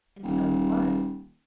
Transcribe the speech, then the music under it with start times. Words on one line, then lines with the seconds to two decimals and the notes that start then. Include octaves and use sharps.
And so it was.
0.23 D#1